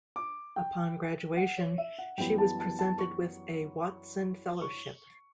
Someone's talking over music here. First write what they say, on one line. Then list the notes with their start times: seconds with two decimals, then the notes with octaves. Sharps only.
Upon graduation, she was presented with a Watson Fellowship.
0.16 D6
0.56 G5
1.37 F#5
1.58 C#5
1.78 E5
1.98 F#5
2.18 F#2 E3 G3 B3 G5
2.38 A5
2.59 A5
2.79 A5
2.99 C#6
4.61 C#6